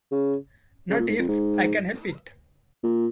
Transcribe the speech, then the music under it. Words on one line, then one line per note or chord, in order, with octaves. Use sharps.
Not if I can help it.
C#3
C#3
A#2
G#2
F2
G#2
A#2